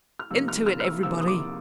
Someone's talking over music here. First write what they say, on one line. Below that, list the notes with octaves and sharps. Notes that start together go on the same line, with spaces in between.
"Into it, everybody!"
F6
C3 F3 A#3 D#4 E6
F6
F6
F6
E6
C3 F3 A#3 D#4 E6
D#6
D6